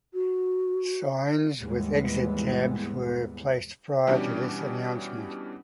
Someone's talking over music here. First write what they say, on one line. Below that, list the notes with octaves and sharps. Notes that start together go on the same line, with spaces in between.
Signs with exit tabs were placed prior to this announcement.
F#4
D#2 G#2 E3 G3 G#3 B3
B2 E3 G3 C#4 D4 G4